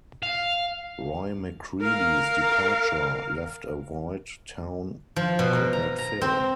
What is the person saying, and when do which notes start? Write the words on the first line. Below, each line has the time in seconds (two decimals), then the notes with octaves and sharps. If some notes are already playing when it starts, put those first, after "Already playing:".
Roy McCreadie's departure left a void Town could not fill.
0.23 F5
1.81 A#4 F5
5.16 F3
5.39 B2
5.55 A#4
5.73 A#5
5.98 A#5
6.22 C4